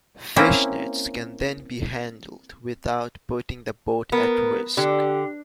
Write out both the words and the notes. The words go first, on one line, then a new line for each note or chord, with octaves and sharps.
Fishnets can then be handled without putting the boat at risk.
A#3 C4 C#4 E4
B3 A#4
D3 G4